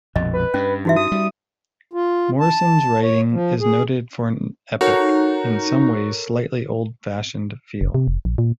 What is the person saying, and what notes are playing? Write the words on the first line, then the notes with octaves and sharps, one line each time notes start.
Morrison's writing is noted for an epic, in some ways slightly old-fashioned feel.
A#1 F2 B2 D#5
B4
G2 C#4
E3 D#4 F#4 E5
F#4 D#6
G3
F4
A5
C#5
F3
G#4
D#4 F#4 A4 A#4 C#5
F#1
C3
F1
A#1
A#2